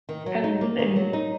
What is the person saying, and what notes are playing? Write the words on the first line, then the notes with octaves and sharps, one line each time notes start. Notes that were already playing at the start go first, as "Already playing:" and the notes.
And and
D#3
F#3
D#4
A#3
D#3
F#3
D#4